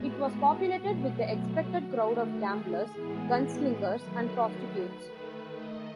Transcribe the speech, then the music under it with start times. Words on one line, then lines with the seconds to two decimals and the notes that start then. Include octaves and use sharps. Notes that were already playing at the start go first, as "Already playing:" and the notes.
It was populated with the expected crowd of gamblers, gunslingers, and prostitutes.
Already playing: A2 G#3 B3 F#4
0.80 B2 F#3 A3 F#4
1.86 D#3 A3 F#4
2.39 G#4
2.92 A2 E3 G#3 B3
3.44 B4
3.97 D#3 F#3 A3
5.03 D#3 A3 B4
5.56 D#5